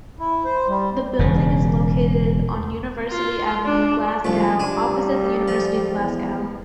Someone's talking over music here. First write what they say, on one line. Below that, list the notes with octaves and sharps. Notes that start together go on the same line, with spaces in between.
The building is located on University Avenue, Glasgow, opposite the University of Glasgow.
E4
C5
G3
E1 C#3
F4
D4
C2 F3 A3
G3 D4 G#5
F3
E2